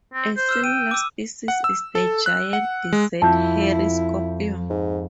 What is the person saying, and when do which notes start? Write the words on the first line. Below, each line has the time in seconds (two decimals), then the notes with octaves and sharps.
A similar species is the giant desert hairy scorpion.
0.14 C4
0.37 C5
0.49 E6 F6 E7
0.64 G5 D#7
0.91 D6 E6
1.48 F#5
1.64 E6
1.95 A4
2.26 F#6
2.53 F#5
2.93 G#3
3.22 F2 E4 A5 G6
4.70 G#2